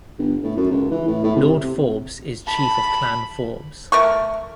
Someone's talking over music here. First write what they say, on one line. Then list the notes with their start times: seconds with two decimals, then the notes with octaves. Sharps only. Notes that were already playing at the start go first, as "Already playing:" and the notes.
Lord Forbes is Chief of Clan Forbes.
0.18 G1
0.43 A2
0.56 F#2
0.71 C#2
0.91 E3
1.07 A2
1.24 A2
1.36 C3
1.63 C3
2.47 A5 B5
3.92 A3 A#4 C#6